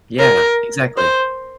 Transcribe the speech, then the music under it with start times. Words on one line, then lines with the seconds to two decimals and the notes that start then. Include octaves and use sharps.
Yeah, exactly.
0.20 A#4
0.98 C5